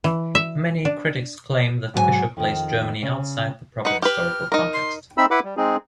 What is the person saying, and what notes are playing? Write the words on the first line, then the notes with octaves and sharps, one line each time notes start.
Many critics claim that Fischer placed Germany outside the proper historical context.
E3
E5
D4
G#2 D3 F#3 A4 G#5
F2 D#3
C#3
D#4 B4 F#5
G4 B4 F6
D#4 A#4
C6
C4 D#4 E5 B5 E6
E4 B4 F#5 B5 D6
G3
G#3 C4 D#4 G#4